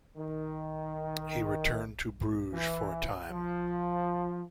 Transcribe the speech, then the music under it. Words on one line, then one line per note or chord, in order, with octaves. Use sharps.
He returned to Bruges for a time.
D#3
E3
F3